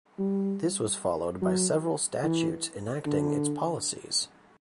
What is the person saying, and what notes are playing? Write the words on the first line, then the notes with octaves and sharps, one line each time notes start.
This was followed by several statutes enacting its policies.
G3
F#3
E3
D3